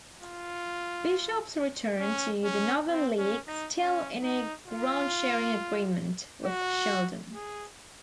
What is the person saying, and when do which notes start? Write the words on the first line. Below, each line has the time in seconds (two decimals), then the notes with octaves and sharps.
Bishops returned to the Northern League still in a groundsharing agreement with Shildon.
0.21 F4
2.00 C#4
2.44 C#4
2.89 C4
3.18 C#4
3.47 D#4
3.77 C#4
4.22 D#4
4.66 F4
6.45 F#4
7.35 G#4